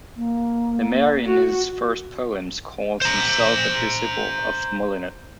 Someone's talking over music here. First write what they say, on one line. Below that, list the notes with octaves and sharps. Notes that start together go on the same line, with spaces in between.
Lemaire in his first poems calls himself a disciple of Molinet.
A#3
F#4
C5 A#5